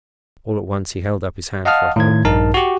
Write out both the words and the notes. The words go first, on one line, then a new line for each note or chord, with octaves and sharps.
All at once he held up his hand for a halt.
D#5 F5 F#5 A5 D#6 F6
A2 D#3 G#6
A#1 G2 D#4 A#4 A5
F#4 G4